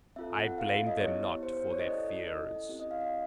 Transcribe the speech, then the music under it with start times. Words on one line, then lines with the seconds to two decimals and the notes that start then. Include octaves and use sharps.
I blamed them not for their fears.
0.16 C4 F4 A4 E5
0.37 F#5
0.58 F5
0.73 E5
0.87 D#5
1.00 B3 E4 G4 C#5
1.43 C5
1.57 C5
1.71 C#5
1.79 D#5
1.85 C#4 E4 A4 D5
2.27 D#5
2.69 C4 E4 G4
2.80 D#5
2.91 F5
3.01 D#5